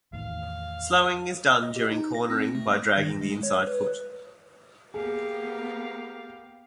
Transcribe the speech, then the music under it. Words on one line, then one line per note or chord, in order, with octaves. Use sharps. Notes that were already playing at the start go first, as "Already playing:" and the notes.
Slowing is done during cornering by dragging the inside foot.
E2 A2 D#3 F5
D#5
G4
D#4
A#6
C4
A3
A#6
D#3
G#3
C#5
B4
A#3 B3 G4 G#4 F5